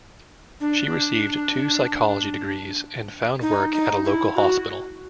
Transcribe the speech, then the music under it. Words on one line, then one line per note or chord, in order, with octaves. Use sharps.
She received two psychology degrees and found work at a local hospital.
D4
D#4
D#4
E4
F#4